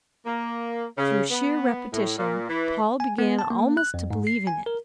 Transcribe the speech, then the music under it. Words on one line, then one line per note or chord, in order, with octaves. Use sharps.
Through sheer repetition, Paul began almost to believe in it.
A#3
C#3
B3
A2
A#2
E3
G#5
B3
A5
A#3
F#6
F2
G#2
C7
G#5
A#4